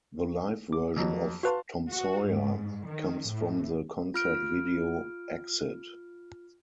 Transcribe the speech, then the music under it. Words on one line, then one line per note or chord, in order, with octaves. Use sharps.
The live version of "Tom Sawyer" comes from the concert video Exit...
D6
F2 F#3
F#4 B4 F5 A5 C6
F#4
G#2
D#3
A2
F4 F6 D7